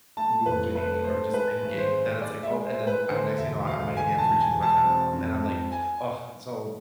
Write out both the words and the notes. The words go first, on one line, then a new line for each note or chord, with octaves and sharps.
moving or just thinking, then it's, like, "Oh", and then I next thing you know, uh, my hand's reaching towards my mouth, and I'm, like, "Ugh." So,
A3 A5
F1 B4
A3 B4
A3 C5
G#3 B4
G#1
C5
G#3
G#3 D5
E5
G#3
C5
G#3
B4
D3 C5
E1 E5
D2 F5
E1 G#5
A5
E1
G#5
E1
A5
C4
F2
F2
G#5